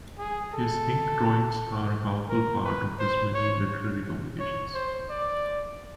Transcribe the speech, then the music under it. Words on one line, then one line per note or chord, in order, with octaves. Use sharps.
His ink drawings are a powerful part of his many literary publications.
G#4
A4
A#4
B4
C5
C#5
C#5
C5
D5